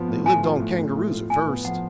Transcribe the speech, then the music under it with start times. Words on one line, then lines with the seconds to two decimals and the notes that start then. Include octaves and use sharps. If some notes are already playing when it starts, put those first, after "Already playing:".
They lived on kangaroos at first.
Already playing: F3 B3 F4
0.08 A2
0.26 A2 G#5
0.43 F4
0.60 A2
0.78 A2
0.95 A2
1.13 F4
1.30 A2 G#5
1.48 B3
1.65 F3 F#5